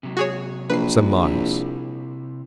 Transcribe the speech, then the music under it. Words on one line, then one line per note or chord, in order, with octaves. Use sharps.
"Some miles."
C3 F#3
F#4 G#4 C#5
A#1 B4 C7
C3 C4 E4